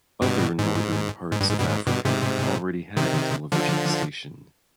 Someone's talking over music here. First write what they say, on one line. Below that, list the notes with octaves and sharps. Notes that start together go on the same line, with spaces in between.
Other Northern parts of Africa already had a television station.
G2 B2
G#2
G#2
G2
G#2
G2 B2
G#2
G2 B2
G#2 C3
C3 D#3
D3 F3